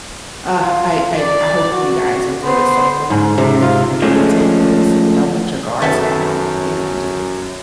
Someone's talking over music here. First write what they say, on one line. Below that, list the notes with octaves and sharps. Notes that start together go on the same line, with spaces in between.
Ah, I I I hope you guys are really safe around there and kinda really take this, and don't let your guards down, you know? Just
F4
D5 D6
F#4
B3 C5
G#2
C3
F4
F3 G#3 A3 C#4 D4
F#2 D#3 A3 B3 A4